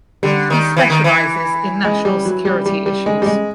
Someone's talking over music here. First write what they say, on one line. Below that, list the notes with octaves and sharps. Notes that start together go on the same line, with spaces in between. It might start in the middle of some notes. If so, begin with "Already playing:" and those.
He specialises in national security issues.
D3 G3
D#3
E3
D#3
E3
G#3
G3
F#3
G3
G3
G3
G#3
G3
G#3